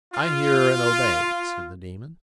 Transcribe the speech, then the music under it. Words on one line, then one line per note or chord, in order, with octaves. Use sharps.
"I hear and obey," said the Demon.
F4